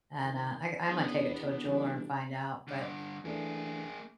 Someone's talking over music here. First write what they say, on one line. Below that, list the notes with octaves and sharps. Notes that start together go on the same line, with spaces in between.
and, uh, I I'm gonna take it to a jeweler and find out. But
D#3 A5
E2 B3 D4 B4
B1 E3 G3
G2 D3
E3 A3 A#3 D4 G#4